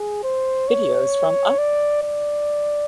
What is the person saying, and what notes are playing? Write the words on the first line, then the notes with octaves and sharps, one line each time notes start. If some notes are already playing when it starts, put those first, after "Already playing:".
Videos from Up!
Already playing: G#4
C5
C#5
D5
D5